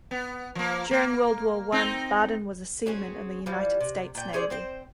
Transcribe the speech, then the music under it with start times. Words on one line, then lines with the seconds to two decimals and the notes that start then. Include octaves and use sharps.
During World War One, Barden was a seaman in the United States Navy.
0.11 B3
0.55 F3 A#3
0.91 A#3
1.72 C4 D#4
2.86 F#3 C4 C#4 G#4
3.46 E3 F3 G3
3.80 C3
4.15 A#2 G5
4.33 C#4 G#4 C5 D5
4.50 C4 C5 G5